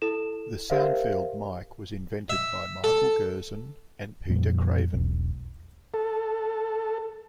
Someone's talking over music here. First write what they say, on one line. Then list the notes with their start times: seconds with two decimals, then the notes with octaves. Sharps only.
The soundfield mic was invented by Michael Gerzon and Peter Craven.
0.02 E4 A4 E7
0.70 G4 A#4 C5 E5 F5
2.30 E5
2.84 A4
4.29 F2 A#2 G3
4.94 E1 B1
5.94 A4